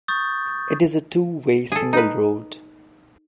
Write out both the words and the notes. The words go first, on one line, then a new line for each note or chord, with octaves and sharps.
It is a two-way single road.
C#6 D#6 G6 A6
G#4 A4
D#4 B4